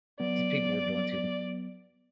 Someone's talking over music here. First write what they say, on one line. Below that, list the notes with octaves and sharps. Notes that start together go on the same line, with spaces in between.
These people are doing too much.
F#3 B3 D5